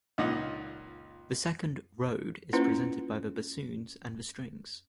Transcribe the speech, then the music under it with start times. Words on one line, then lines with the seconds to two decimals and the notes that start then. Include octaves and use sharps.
The second "road" is presented by the bassoon and the strings.
0.18 C#2 A#2 D#4 F#5
2.53 A#3 C#4 E4 F4 B4 C5